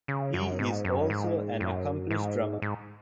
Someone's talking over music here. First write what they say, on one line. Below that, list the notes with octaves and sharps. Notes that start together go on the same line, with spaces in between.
He is also an accomplished drummer.
C#3
F#2
G#2
F#2
G#2
F#2
G#2
G#2